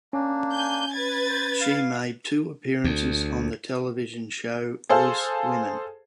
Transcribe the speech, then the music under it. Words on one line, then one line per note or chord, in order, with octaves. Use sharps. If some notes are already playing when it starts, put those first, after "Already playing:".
She made two appearances on the television show Loose Women.
A#3 C#4 D4
G#5 G6
B4 G#6 A6
C5
F5
D2
G#4 A4 C5 F5